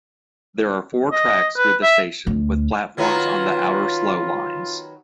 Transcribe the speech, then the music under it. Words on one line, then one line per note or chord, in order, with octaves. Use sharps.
There are four tracks through the station, with platforms on the outer Slow lines.
D#5
B4
E5
D2
D#3 F#3 B3 F4